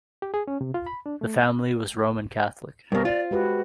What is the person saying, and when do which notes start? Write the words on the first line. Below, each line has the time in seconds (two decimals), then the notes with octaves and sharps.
The family was Roman Catholic.
0.22 G4
0.34 G#4
0.48 C#4
0.61 C3
0.74 F4
0.86 B5
1.06 D4
1.21 A3
2.92 G2 B2 A#4 C5
3.05 F4 D5
3.31 G#3 F#4 G4 B4